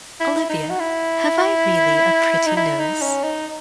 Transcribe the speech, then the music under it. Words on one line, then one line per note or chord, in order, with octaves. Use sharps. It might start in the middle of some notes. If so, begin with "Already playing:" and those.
Olivia, have I really a pretty nose?
E4
D#4
F#4
E4
D#4
E4
D#4
C#4
D#4